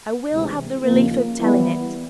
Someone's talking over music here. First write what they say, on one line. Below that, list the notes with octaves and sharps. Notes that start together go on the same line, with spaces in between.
I will have the relief of telling it.
D2 C3 E3 G#3
D#2 C#3 F3 A#3
E3 G3 B3